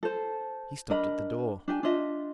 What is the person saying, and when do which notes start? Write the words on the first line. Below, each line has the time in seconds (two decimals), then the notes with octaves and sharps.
He stopped at the door.
0.03 A4 C5
0.90 D4 A#4 D#5 B5
1.68 D4 G4 G#5
1.83 D4 F4 D#5 E5